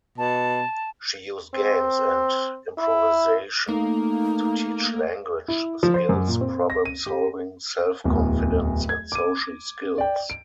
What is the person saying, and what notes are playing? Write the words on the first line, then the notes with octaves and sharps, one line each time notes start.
She used games and improvisation to teach language skills, problem-solving, self-confidence and social skills.
B2 A5
C4
E4
A3 A#3 D#4
E4
F3
C5
F#2
A#2
C4
A#6
D#7
G4
D1 E2
G#6
D6 D#7
D5 G5
D7